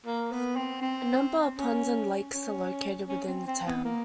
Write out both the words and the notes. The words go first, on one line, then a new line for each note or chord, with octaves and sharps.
A number of ponds and lakes are located within the town.
A#3
B3
C4
C4
C#4
C#4
C#4
C4
C4
B3
A#3